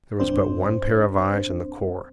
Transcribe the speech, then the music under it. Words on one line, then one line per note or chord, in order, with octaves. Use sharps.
There was but one pair of eyes in the corps.
G1 C2 G2 C4 D4 C5